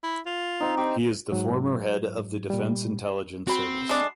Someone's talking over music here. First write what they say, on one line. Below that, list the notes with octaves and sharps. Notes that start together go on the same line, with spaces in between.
He is the former head of the Defense Intelligence Service.
E4
F4
C4 D#4
C4 G4
G#2 F#3
A#2 G3
C4 F#4 B5
G#3 A3 D4